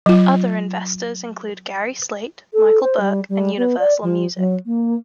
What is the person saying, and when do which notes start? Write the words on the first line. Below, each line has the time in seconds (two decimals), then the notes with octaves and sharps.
Other investors include Gary Slaight, Michael Burke and Universal Music.
0.06 F#3 F4
2.53 A4
2.82 C5
3.00 G3
3.29 G3
3.57 B3
3.79 D5
4.03 F3
4.37 F#3
4.66 A#3